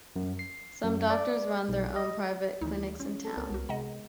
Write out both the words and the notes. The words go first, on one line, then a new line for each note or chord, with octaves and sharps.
Some doctors run their own private clinics in the town.
F#2
C7
F#2
D5
B1
D#5
D2 E3 A3 D#4
C#4
A4
C#2 B3 A#4 C#5
C2 F#4
C3 G#3 D#5 F#5 A#5